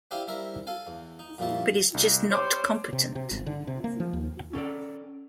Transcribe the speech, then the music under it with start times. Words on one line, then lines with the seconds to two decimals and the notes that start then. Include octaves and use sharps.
But he's just not competent.
0.11 C4 D4 E4 G4 F5 G#5
0.28 G3 C4 E4 A#4 E5
0.67 A4 F5 G#5
0.87 E2
1.19 D#4
1.38 F2 A#2 G3 A#3 E4 A5
1.94 C2
2.31 G3 C5 C#5 D6
2.93 C3
3.15 C3
3.31 G1
3.46 D3
3.67 C3
3.84 A#3
4.00 F3
4.13 D#2
4.53 C#4 A4 A#4 D5